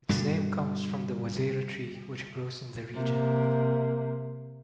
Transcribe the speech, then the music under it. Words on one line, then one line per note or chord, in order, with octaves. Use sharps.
Its name comes from the juazeiro tree which grows in the region.
G2 B2 D3
C3 A#3